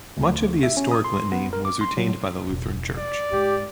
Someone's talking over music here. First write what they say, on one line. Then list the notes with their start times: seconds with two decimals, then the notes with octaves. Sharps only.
Much of the historic Litany was retained by the Lutheran Church.
0.17 D2
0.63 E5
0.77 C#4
0.91 D#6
1.04 C6
1.32 B3
1.53 A#4
1.65 D6
1.81 C6
1.97 F#3
2.47 E1 A1
2.98 D5
3.32 G#2 G4